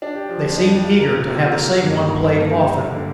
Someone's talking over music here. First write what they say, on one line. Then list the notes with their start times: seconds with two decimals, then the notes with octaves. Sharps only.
They seemed eager to have the same one played often.
0.02 D4
0.15 G4
0.29 F3
0.44 F2
0.58 D4
0.71 G4
0.85 F4
1.00 A#4
1.13 A#3
1.27 C3
1.41 F4
1.54 A#4
1.68 A#3
1.82 G2
1.96 D3
2.10 G2
2.24 A#3
2.38 G2
2.52 G4
2.66 D3
2.79 A#3
2.93 D3